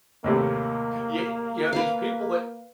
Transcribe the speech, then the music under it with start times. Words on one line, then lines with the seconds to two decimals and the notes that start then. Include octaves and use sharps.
Ye yeah, these people that
0.24 D#2 A2 C3 A#3
1.73 B4 F5